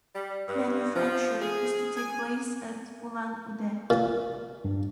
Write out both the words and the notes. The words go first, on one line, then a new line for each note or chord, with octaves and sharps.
Manufacture is to take place at Ulan-Ude.
G3
G2
F3
G#4
G#5
A#2
G2